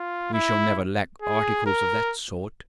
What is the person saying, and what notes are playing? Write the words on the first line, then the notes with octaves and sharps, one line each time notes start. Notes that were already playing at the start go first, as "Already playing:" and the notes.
"We shall never lack articles of that sort."
Already playing: F4
E4
G#4
A#4